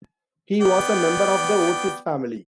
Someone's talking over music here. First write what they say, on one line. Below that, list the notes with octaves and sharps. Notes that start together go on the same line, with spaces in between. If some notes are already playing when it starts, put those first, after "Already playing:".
He was a member of the Otis family.
B3 D5 G5